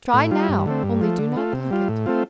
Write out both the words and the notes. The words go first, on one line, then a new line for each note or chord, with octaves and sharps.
Try now--only do not pluck it.
A2
G3 F4
G2
D3 A3 C4
G2
F3 A3
D3
A3 F4
C3
G3 F4
A2
A3 C4 F4